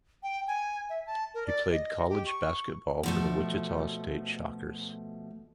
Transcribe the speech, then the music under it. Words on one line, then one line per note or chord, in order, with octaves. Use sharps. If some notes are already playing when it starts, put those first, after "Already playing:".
He played college basketball for the Wichita State Shockers.
G5
G#5
E5
A5
A#4
D5
D#5
G4
C#6
B2 F3 A3